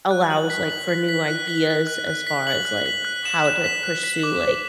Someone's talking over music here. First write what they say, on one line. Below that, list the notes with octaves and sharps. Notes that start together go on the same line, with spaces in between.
allows, like, for new ideas as far as, like, how to pursue, like
F#6
F#7
B6
F#7
B6
B6
F#6
B6
B6
F#6
F#6
B6
F#7
F#6
B6
F#6
E7
E7
B6
F#6
B6
D6
D6